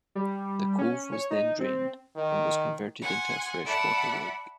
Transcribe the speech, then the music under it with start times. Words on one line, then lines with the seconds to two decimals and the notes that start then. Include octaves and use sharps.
The cove was then drained and was converted into a fresh-water lake.
0.15 G3
0.78 C#4
1.12 C#5
1.31 D#4
1.60 C4
2.16 D#3
3.02 F#5 G#5 C6
3.65 D5 E5 F#5 A5 B5